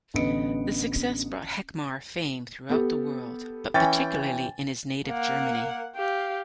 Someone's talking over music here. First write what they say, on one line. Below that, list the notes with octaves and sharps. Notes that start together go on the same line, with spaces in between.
The success brought Heckmair fame throughout the world, but particularly in his native Germany.
A1 D3 B3 D#5 C#7 D7
B3 G4 A4
E3 C#4 G5 G#5 A6
A#3 F#5
G4 F5